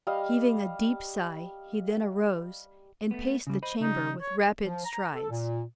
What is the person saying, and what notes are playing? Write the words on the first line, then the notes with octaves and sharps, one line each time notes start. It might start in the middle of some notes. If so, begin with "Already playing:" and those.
Heaving a deep sigh, he then arose, and paced the chamber with rapid strides.
G3 D#5 F5
A3 B3
C#3 G3
C5 D#5 B5
C#3 G3 D#4
C#5
F3
A#5
A4
A#2